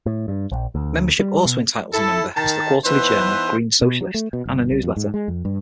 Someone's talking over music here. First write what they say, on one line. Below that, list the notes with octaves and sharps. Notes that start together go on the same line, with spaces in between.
Membership also entitles the member to the quarterly journal "Green Socialist" and a newsletter.
A2
G2
A#1
D2
G3
B2
E4 A4
D#3 A5
E3 B3 D#4 B4 C5
B2
F#3
A3
B2
G1
C2
F2
G#2
G#3
F2
G2